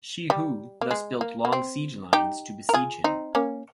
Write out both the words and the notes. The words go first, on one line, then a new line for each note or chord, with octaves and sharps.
Shi Hu thus built long siege lines to besiege him.
G3
A#3
G#3
A#3
A#3
C4
D#4 G4
A#4
F4 G#4
C4 D#4
A#3 C#4